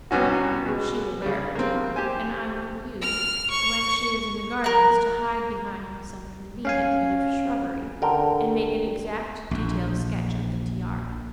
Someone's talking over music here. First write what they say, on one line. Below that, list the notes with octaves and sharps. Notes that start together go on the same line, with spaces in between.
She will wear her tiara, and I want you when she is in the gardens to hide behind some convenient bit of shrubbery and make an exact detail sketch of the tiara.
C2 B2 C#4 F#4
B2 G#3
C#3 G3
A#3 C4
G4 C5 G#5
F6
C#6
A#4 F#6
C#4 F5 G#5
D3 G4 A#4 G5
A#1 E2